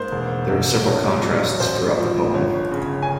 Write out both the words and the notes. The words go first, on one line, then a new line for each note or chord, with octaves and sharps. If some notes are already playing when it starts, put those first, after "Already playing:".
There are several contrasts throughout the poem.
Already playing: G#2 A#3 C5
E1
C3
A#1 C#5
F#3
A1 C5
F3
G1 C#5
C#3
G#5